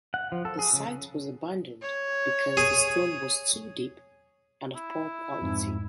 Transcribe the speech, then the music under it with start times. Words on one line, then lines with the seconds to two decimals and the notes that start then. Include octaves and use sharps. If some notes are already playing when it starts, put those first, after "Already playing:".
The site was abandoned because the stone was too deep and of poor quality.
0.14 F#5
0.32 F3
0.45 A4
0.59 G#4
0.73 C#3
1.82 C#5
2.57 G#4
4.76 E4
5.42 F2 G#2